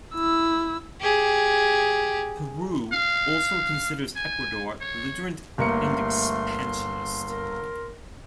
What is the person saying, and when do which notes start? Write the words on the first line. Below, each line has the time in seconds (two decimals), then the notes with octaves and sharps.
Peru also considers Ecuador belligerent and expansionist.
0.14 E4 E6
1.01 G4 G#4
2.93 F5
4.16 G#5
4.81 C#5
5.58 G1 A3 A#3 C6 C#7
7.28 A#4